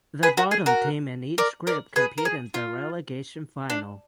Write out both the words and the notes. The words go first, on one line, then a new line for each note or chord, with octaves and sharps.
The bottom team in each group compete in the relegation Final.
G#4 B4
F#4 A#4
G#4
F#4 A#4
A#4 D5
A#4 D5
G#4 B4
A#4
G#4
F4
D4